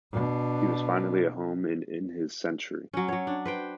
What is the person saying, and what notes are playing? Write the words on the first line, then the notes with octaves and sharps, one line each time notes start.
He was finally at home and in his century.
B2 D4
F#3 C#4
F#3 C#5
D4
B4 C5 G5